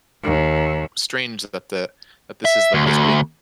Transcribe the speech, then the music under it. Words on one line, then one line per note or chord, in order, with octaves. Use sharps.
strange that the that this is, like, this big,
D#2
E5
D2
D2